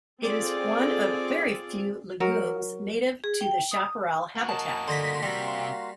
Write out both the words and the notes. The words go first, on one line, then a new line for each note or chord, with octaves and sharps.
It is one of very few legumes native to the chaparral habitat.
C4 F4 G#4 A4 D5
F#3 A#4
G#4
G5
D#6
A#3 F#4 F#5 G#5
A#4 D#5 G#5 A5
D3 C6 A#6 B6
C3 G3 A#3 F#4 F5